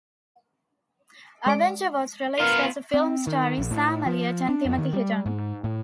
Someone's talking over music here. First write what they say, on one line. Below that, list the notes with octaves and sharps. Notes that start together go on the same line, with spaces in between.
Avenger was released as a film starring Sam Elliott and Timothy Hutton.
G#3 D5 D7
B3 F4 A#4
C4
D#3
A#1
A2
F3
D4
F2
D#3
G3
G#2
A2